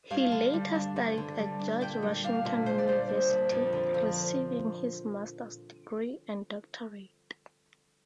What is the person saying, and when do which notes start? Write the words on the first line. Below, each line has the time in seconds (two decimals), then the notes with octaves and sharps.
He later studied at George Washington University, receiving his master's degree and doctorate.
0.10 G2 F5
0.32 D3
0.53 G3
0.75 D4
0.96 G2
1.17 D3
1.38 G3
1.59 D4
1.81 A#2 G5
2.03 G3
2.24 D4 F5
2.45 A#2
2.66 A#2 C5
2.78 D5
2.88 G3 C5
3.08 D4
3.31 A#2
3.51 F2
3.73 D3
3.94 F3